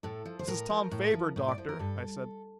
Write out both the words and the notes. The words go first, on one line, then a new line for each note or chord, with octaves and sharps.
"This is Tom Faber, Doctor," I said.
A2 A4
F3
C5
A2 A#4
F3
A2
F3
A2
D5
F3 C5
A#4
G2 A4